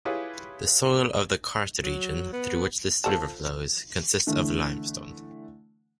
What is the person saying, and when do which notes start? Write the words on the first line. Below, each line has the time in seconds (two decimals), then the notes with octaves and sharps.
The soil of the karst region, through which this river flows consists of limestone.
0.05 E4 F4 G4 G#4 B4 C#5
1.83 F#3
2.33 B3
3.04 F3 A4 A5
4.27 D3 E3 A3